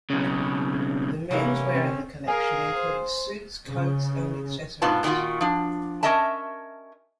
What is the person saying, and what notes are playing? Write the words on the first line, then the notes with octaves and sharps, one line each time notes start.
The menswear in the collection includes suits, coats and accessories.
B1 C#3
G#2 C3 E3 A#3 C#4
C4
G#4 A#4 F5 G#5
C5
C#3
G#2 B2 B3 D4 F4 A5
A#2 D#3 G3 F4 F#4
F3 D4
C#4 F#4 A#4 D#5 E5 A5